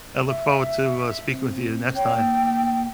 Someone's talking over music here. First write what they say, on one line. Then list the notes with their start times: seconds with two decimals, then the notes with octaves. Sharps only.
I look forward to, uh, speaking with you the next time.
0.27 E5
1.28 C4
1.95 C#5 G5
2.15 A#3